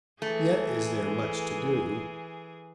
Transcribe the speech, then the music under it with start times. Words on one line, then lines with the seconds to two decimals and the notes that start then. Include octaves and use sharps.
Yet is there much to do.
0.22 E3 A3 G#4